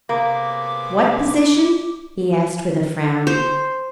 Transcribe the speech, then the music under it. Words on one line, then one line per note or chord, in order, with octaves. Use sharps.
"What position?" he asked, with a frown.
C3 A#3 B3 G#4 D6
C5